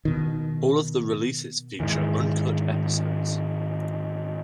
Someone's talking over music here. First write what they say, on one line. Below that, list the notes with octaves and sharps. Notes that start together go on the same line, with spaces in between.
All of the releases feature uncut episodes.
B2 D#3
G#2 D#3 E3